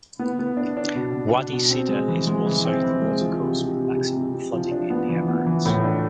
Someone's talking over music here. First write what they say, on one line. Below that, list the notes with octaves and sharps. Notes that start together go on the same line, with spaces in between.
Wadi Sidr is also the watercourse with maximum flooding in the Emirates.
B3
B3
D4
D4
B2
B2
B2
B2
C4
G#3
E3
G#3
E3
C4
E3
G#3
F3
C3
C3
C3
C3
C3
C3
F3
D4
B3
E3
B3
E3
A2
D4